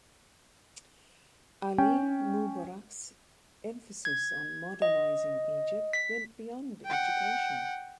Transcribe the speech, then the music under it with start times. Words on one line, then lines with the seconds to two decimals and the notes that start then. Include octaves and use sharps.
'Ali Mubarak's emphasis on modernizing Egypt went beyond education.
1.78 C#4 G5
4.05 G#6
4.82 D#5
5.93 B6
6.85 F#5 G5